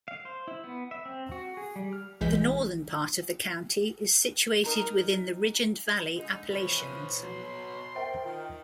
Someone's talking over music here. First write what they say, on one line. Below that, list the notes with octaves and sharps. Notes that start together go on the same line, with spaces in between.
The northern part of the county is situated within the Ridge-and-Valley Appalachians.
F5
C5
E4
B3
E5
C4
F#4
G#4
G3
F6
B1 E3 G#3 G6 B6
D#4 A#4 D#6
D3 G#3 D#4
E3 F3 B4 C#5
F#6 D#7
B2 F#3 C6
A#4 C5 E5 G5 A6
D#3 F4